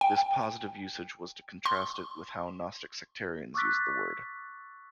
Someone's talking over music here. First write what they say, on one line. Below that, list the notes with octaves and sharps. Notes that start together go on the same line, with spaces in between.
This positive usage was to contrast it with how gnostic sectarians used the word.
G5
C6
C#6 D6 E6 F#6 A6 B6